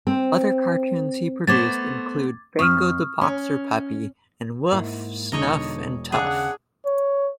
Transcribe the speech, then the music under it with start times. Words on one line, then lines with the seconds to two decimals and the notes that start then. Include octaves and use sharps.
Other cartoons he produced include "Bengo the Boxer puppy" and "Wuff, Snuff and Tuff".
0.07 C4
1.47 A3 B3 C5 D6 G#6 A6
2.59 F2 C#6 D#6 F6
3.21 C#4
4.72 G#2 A#3 E4
5.32 E1 D3 D4 D#4 C#5 D#5 A#5
6.12 D#2 C#3 D4 G#4 F#5
6.85 C#5